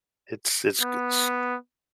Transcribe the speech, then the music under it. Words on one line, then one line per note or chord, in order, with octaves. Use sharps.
it's it's g it's
B3